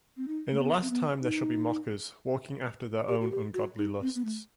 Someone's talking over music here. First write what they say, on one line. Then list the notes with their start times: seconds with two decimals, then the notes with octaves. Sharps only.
In the last time there shall be mockers, walking after their own ungodly lusts.
0.17 C4
0.28 D#4
0.51 A3
0.59 B3
0.82 C4
0.90 B3
1.22 D#4
3.08 G4
3.21 F#4
3.31 G4
3.54 F#4
3.78 D#4
4.02 C4
4.15 B3
4.25 A3